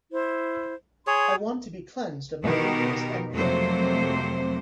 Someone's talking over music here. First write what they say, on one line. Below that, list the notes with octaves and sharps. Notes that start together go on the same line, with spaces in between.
I want to be cleansed of my weakness and filth.
E4 C5
G#4 C#5 C6
B2 D#3 D#4 G4 A#4
F2 C3 F#3 A3 A#3 C5